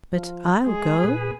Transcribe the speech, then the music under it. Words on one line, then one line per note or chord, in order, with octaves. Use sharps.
But I'll go.
F3
G#3 G#4
A#2 B4